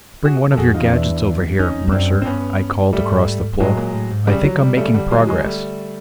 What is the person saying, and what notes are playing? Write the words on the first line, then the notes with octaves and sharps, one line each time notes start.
"Bring one of your gadgets over here, Mercer," I called across the pool. "I think I'm making progress."
F#4 G#4
A4
F2 F#4 G#4
E2 D#4 F4
F2
E2 D4 E4
F2 C#4 D#4
F2
F#2 C4 D4
F#2 C4
G2 B3 C#4
G#2 G3 A3
G#2
A2 F#3 G#3
A#2
A2
G#2
C#3 G3
D3 F#3
C3 G3
C#3 G3 A3
D3 G3
F#3 G#3
F#3 G#3
G3 A3